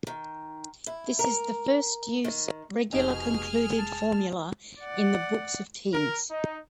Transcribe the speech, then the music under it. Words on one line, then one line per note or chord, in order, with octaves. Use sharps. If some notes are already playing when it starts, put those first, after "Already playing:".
This is the first use regular concluding formula in the books of Kings.
D#3
E4
A#4
D#3
F1 B2 B3 C4 D#4 G4 G#4 F6
A5
D5 F#5
A#4
D#4